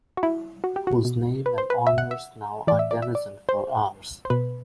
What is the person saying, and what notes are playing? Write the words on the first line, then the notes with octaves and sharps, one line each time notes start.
Whose name and honours now are denizened for ours.
F#4
E4
F#4
G4
F#4
B2
B4
C5
B4
E5
F#5
E5
A2 E3 D5
E5
D5
E5
D5
C5
C5
B2 B4